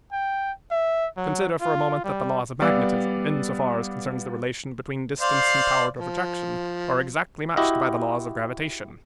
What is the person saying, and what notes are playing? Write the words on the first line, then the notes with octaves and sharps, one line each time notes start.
"Consider for a moment that the laws of magnetism, insofar as concerns the relation between distance and power of attraction, are exactly matched by the laws of gravitation."
G5
E5
F#3
F4
G3
G3 B3 D5 F5 E6
C5 D5 F5
F3
E4 F#4 G4 D#5